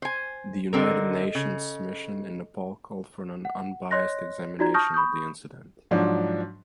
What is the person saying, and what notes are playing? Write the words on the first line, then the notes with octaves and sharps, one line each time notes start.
The United Nations Mission in Nepal called for an unbiased examination of the incident.
C5 G#5
D3 C4 A4 A#4 D#5
C#3
F#5
C#5 D#5 C6 F#6 A#6
D#4 F4 F#4 D5 A#5 G#6
A5 C#6 D#6 F6 G6 A#6
B5 C#6 D#6 G6
G#2 F3 F#3 D4